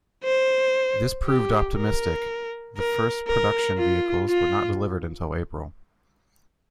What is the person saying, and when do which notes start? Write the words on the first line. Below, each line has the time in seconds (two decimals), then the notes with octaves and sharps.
This proved optimistic; the first production vehicles were not delivered until April.
0.24 C5
1.25 G4
1.76 A#4
2.77 A#4
3.28 A#4
3.78 F4
4.29 F4